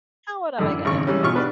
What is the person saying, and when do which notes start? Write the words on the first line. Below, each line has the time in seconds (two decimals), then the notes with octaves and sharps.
“Now, what am I gonna do?"
0.59 F#2 D3 E4
0.85 G#1 C#3 C#6
1.07 E3 G3 G#3 C#4
1.23 B2 F4 C#6 F6
1.35 D4 B4 D5